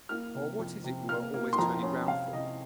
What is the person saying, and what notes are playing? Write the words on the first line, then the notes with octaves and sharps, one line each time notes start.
'Or what is it you are always turning round for?'
A#3 F6
C3
F2
C3
A#3 F6
A#3
C6
F2 A#5
C#4
C3 F5
C3 D#5